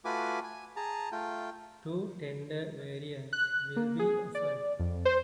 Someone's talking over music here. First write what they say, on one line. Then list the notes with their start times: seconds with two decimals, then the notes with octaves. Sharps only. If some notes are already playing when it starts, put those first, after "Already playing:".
Two tender variants will be offered.
0.05 A3 F4 F#4 B4 G#5 D6
0.43 G#5
0.76 G#4 A5 A#5
1.12 A3 F4 G5
3.33 F#6
3.76 A#3
3.99 G#4
4.35 D5
4.79 F2
5.05 C5